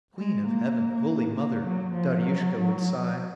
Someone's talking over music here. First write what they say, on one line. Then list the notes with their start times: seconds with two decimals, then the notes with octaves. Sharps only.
"Queen of Heaven, Holy Mother..." Daryushka would sigh.
0.18 G#3
0.48 A#3
1.35 A#3
1.64 F#3
1.93 F3
2.23 F#3